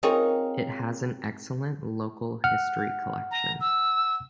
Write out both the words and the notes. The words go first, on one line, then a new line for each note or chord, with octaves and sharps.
It has an excellent local history collection.
C4 D#4 F4 G#4 A#4 C#5
F#5 F6
A#5
E6